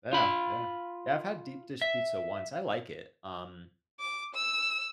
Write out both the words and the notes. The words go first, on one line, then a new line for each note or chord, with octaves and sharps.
Yeah, yeah, yeah, I've had deep dish pizza once, I like it. Um,
F4 B5
E5
D6
E6